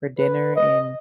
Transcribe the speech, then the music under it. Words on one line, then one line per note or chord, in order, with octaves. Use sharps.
for dinner, and
B4
D#5